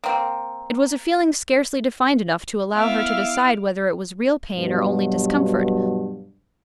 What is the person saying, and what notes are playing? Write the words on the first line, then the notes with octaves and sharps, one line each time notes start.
It was a feeling scarcely defined enough to allow her to decide whether it was real pain or only discomfort.
A#3 C4
B3 E4 E5 F5 D6 F6
G2 B2 F#3